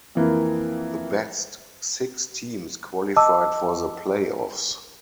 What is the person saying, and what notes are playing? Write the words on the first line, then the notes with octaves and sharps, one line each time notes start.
The best six teams qualified for the playoffs.
F2 E3 A#3
D#5 A5 D6 E6